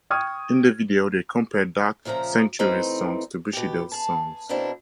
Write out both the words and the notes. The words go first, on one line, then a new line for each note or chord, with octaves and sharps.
In the video they compared Dark Sanctuary's songs to Bushido's songs.
G5 C#6 D#6 F6 G#6
A#2 C#3 F3 E5 A#5
E3 A3 C4 D#4
B2 G4
G#4 A5
B2 A#3 C4 D4 E4